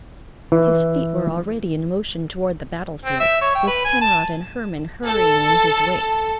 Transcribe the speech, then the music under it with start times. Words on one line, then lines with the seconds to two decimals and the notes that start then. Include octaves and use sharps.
His feet were already in motion toward the battlefield, with Penrod and Herman hurrying in his wake.
0.52 E3
3.05 C4
3.20 E5
3.41 C#5
3.55 G5
3.67 B4
3.85 G#5
4.01 A5
5.07 A4